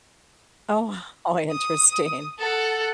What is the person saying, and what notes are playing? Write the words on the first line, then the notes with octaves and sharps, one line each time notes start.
Oh, how interesting
D#6
A4 F#5